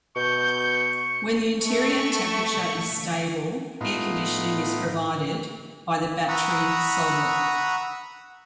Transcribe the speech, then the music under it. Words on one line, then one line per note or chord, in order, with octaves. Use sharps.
When the interior temperature is stable, air conditioning is provided by the battery solely.
B2 C#6 G6
A3 C#6
A2 B3 D#4 F4
F#5 A#5 B5 C#6 D#6 E6